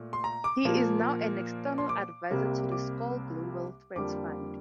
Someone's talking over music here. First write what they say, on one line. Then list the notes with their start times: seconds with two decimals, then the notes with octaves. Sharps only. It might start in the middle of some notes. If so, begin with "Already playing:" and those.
He is now an external adviser to the Skoll Global Threats Fund.
Already playing: A#2 A3
0.13 C6
0.24 A#5
0.44 D6
0.65 A#2 F3 A#3
1.78 C6
1.89 D6
2.31 C2 C3 G3 A#3
2.72 D6
3.96 F2 D3 G3 A#3 D6